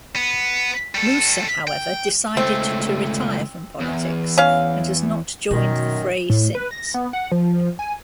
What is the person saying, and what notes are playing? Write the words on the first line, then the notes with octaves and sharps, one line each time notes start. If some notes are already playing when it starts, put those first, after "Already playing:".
Musa, however, decided to retire from politics and has not joined the fray since.
B3
G3 A4
G5
C#2 A3 C4
E2
C#4 F5
F#2 B2 D#3
A2
B4
A#6
B3
F#5
F3
G#5